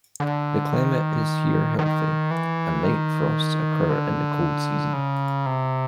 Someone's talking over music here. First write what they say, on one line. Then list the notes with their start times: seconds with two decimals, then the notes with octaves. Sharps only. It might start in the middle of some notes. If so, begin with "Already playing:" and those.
The climate is here healthy, and night frosts occur in the cold season.
0.20 D3
0.73 D#3
1.79 D#3
2.31 E3
2.84 D#3
3.89 D3
4.93 C#3
5.46 C3